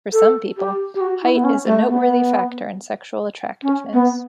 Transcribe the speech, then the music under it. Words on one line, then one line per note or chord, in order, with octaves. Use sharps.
For some people, height is a noteworthy factor in sexual attractiveness.
A4
G4
G4
F#4
E4
B3
C#4
A3
B3
C#4
B3